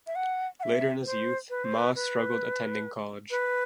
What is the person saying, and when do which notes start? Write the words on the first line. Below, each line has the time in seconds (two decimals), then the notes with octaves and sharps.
Later in his youth, Ma struggled attending college.
0.07 E5
0.15 F#5
0.60 F#5
0.63 E5
1.06 C5
1.50 B4
1.64 C5
1.78 B4
1.95 B4
3.30 B4